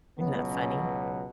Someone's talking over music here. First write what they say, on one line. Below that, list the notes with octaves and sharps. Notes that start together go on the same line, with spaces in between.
Isn't that funny?
C#2 B2 F#3 B3
C#4